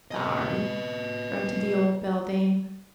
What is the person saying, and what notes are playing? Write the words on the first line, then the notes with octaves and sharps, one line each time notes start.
"Garn!" grunted the old beldame.
B4 D#5